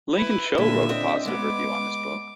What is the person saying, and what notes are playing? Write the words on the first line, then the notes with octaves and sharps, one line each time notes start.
Lincoln Cho wrote a positive review on this book.
E4 B4
A#2 D3 E5
C4 D4 D#5
G#3 B3 D6